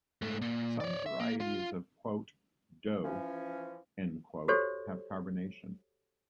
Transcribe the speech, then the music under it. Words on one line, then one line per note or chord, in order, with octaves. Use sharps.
Some varieties of "doogh" have carbonation.
G#2 A3
A#2
C#5 D5
E5
A#3
F4
E3 F3 C#4
F#4 G4 A4 C5 C#5